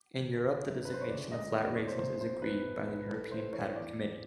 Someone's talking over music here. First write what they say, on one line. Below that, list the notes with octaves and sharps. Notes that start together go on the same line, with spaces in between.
In Europe the designation of flat races is agreed by the European Pattern Committee.
G1
G1
F#2
D3 B4
C5
C#5
F#1 D5
G#3 D#5
E2 D#5
D5
B2 C#5
C5
F#1 C5
F3 C5
F2 B4
C3
A#1 B4
G3 A4
A2 C5
E3 C#5
E2 D5
C4